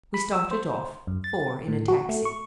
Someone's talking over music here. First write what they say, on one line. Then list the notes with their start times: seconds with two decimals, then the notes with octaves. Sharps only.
We started off--four in a taxi.
0.14 B5
0.33 E6
0.51 C5
1.07 F#2
1.24 A6
1.68 A2
1.88 F#4
2.09 A3
2.25 C#6